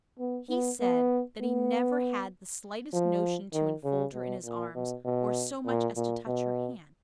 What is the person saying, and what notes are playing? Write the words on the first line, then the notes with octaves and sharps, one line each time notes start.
He said that he never had the slightest notion to enfold her in his arms or so much as to touch her hand.
B3
B3
B3
B3
F3
D#3
C#3
B2
A#2
B2
B2
A#2
A#2
B2